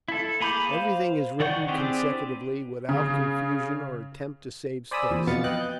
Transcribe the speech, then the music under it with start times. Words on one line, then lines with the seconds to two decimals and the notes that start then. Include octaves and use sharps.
Everything is written consecutively, without confusion or attempt to save space.
0.08 E4 A4
0.40 A#3 G#4 B5 D6 G6
0.71 C5 F5
1.40 D#3 D5 F#5 C#6 G6
1.68 C4 D4 E4 G4 G#4
2.89 C#3
4.91 C5 D5 G#5 B5 D#6 E6
5.11 E2 A#2
5.27 F2 B2 B3 F5 A6 C#7
5.44 D#5 G5 F#6
5.61 G6